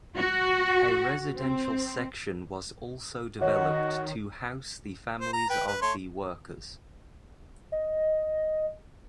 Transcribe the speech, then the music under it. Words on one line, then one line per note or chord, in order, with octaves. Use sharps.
A residential section was also developed to house the families of the workers.
F#4
C4
D#3 F#4 C#5 D#5 F#5
C5
A#5
B4 G5
B4
A3 C#5 C6
D#5